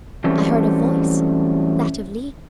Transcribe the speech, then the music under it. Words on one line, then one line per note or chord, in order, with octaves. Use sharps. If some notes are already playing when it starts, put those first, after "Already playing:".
I heard a voice, that of Leo.
E3 F#3 G3 A3 C4 C#4